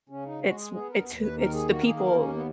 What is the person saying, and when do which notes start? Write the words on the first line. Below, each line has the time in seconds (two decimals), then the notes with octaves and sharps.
it's w it's who it's the people
0.09 C#3 C#4
0.25 D#4
0.41 G#3 F#4
0.57 G#4
0.73 B3 G#4
0.89 A#4
1.05 D#2
1.21 B4
1.37 D#3 A#4
1.53 G#4
1.69 A#3 F#4
1.78 A#4
1.85 G#4
1.95 G#4
2.01 D#2 A#4
2.10 B3
2.17 C#4
2.33 B3